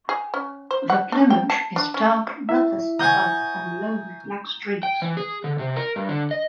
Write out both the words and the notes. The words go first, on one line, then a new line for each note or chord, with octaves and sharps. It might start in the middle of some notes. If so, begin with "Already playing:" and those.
The plumage is dark rufous above and below with black streaks.
G#4
C#4
C5
F#5
D4
G5
A5
D4
C#4
E4 E5
C5 F#5 G#5 A#5 C#6 D#6 G6
G5
E3
G#4
D3
C3
A#4
G2
D3
D#5